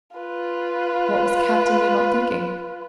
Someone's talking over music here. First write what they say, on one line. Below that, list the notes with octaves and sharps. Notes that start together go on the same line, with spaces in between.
What was Captain Nemo thinking?
F4 B4